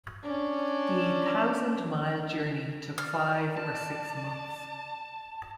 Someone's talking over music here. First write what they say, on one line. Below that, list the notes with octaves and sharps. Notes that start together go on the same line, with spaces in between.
The thousand mile journey took five or six months.
C#4 D4
D5 F6
A5